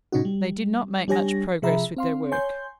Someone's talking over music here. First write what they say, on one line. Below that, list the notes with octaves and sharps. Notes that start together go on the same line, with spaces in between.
They did not make much progress with their work.
A2 C3 C#4 D#4 F#4
G3
G3 D4 G4 C#5 G#5 A#6
C3 F3 G#4 E5 A#5 B5
C4 F5 C6
C#5 G#5 C6 G6